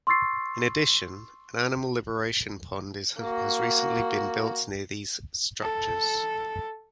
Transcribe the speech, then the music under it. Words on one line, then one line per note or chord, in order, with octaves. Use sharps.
In addition, an animal liberation pond has recently been built near these structures.
C6 C#6 E6 A6 C7
A#3 F#4
A4